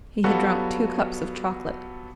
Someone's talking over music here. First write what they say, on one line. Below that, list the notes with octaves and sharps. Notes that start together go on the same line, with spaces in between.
He had drunk two cups of chocolate.
F#3 G3 B3 F4 F#4 A4